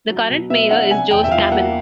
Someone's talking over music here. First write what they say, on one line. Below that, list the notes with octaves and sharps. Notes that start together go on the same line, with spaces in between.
The current mayor is Joe Stammen.
F#3
B2
B3 E5
D4 F#5
C3 G#5
E2 G5
E5
F3 F5
A#3 F#5